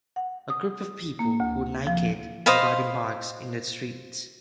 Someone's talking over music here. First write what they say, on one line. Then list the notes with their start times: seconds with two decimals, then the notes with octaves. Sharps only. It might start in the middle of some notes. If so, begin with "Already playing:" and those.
A group of people who are naked and riding bikes in the streets.
0.16 F#5
0.50 D#6
1.19 A#3
1.40 D2
1.87 F3
2.46 C5 D#5 F5 B5